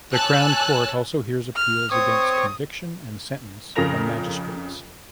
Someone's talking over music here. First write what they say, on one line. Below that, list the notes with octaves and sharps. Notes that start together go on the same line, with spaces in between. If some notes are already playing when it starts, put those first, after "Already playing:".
The Crown Court also hears appeals against conviction and sentence from magistrates.
C#5 G#5 A5 E6 F#6
F6
C4 C#5 C#6 D#6
F2 C#3 F4 A#4 A#6 F7